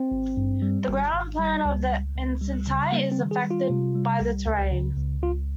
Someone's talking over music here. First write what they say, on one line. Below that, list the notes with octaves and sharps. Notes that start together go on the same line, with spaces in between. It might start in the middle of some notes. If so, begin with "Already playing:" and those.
The ground plan of an enceinte is affected by the terrain.
Already playing: C4
G#1
G2
G3
G#1
G#1
G3
C#2
C#2
C#2
G3
C#3
G3 A#3
C4
D#3
G#4
G3
F4
C3
G3
C2
C#2
C#3
C#2
C#2 F4